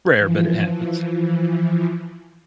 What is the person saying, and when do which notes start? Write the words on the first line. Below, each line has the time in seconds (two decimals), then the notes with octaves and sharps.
Rare, but it happens.
0.19 E3 F3